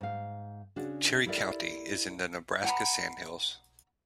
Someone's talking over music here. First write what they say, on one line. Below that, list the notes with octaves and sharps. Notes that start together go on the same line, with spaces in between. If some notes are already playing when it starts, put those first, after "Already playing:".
Cherry County is in the Nebraska Sandhills.
G#2 F5
C#3 D4 F#4 G#4
E4 G4 A4 A#4 D5 E5
F#5 A#5 B5